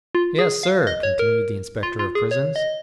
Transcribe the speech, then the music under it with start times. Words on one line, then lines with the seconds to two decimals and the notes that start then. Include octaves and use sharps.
"Yes, sir," continued the inspector of prisons.
0.15 F4
0.39 G#4
0.63 F5
0.87 D#5
1.03 C#5
1.19 A#4
1.83 F4
1.99 F4
2.15 G#4
2.31 C#5
2.56 D#5